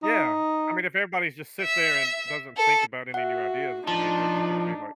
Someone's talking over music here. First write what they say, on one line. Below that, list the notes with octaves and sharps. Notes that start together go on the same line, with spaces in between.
Yeah. I mean if everybody's just sits there and doesn't think about any new ideas, I mean, we're just gonna be like
D#4
E5
A4
F#4 E5 F#5
F3 D4 D#4 A5